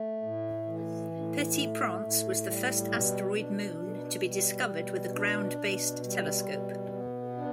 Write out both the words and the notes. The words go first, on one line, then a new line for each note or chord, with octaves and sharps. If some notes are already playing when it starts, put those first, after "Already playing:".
Petit-Prince was the first asteroid moon to be discovered with a ground-based telescope.
Already playing: A3
A2
E3
A2
A3
A2
G3
B2
D4
B2
G3
B2
D4
B2
G3
B2
B3
D4